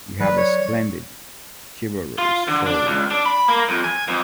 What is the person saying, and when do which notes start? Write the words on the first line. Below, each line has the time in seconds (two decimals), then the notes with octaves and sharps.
You have a splendid, chivalrous soul.
0.20 F#3 B4 D5
0.37 C#5
2.18 F4
2.48 D3
2.66 D4
2.87 C#2
3.11 D4
3.26 B5
3.48 A#3
3.69 F2
3.84 G#5
4.08 F2